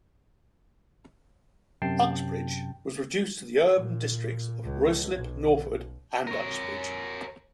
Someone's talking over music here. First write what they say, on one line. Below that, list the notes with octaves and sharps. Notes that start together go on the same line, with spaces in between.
Uxbridge was reduced to the urban districts of Ruislip-Northwood and Uxbridge.
F#2 C3 G5 A5 C7
A#2
C#2
B1
A#4 C#5